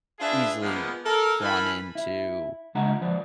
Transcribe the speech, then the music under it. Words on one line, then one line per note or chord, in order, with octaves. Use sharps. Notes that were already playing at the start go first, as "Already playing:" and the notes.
easily drawn into,
D4 F4 G#4 B4 E5
F3 G#3 A#3 B3
A4 A#4
E3 A#4 G#5 A5 B5
E4
C#3 G#3 D4 F4 F#5 A#5
F3 B4 D5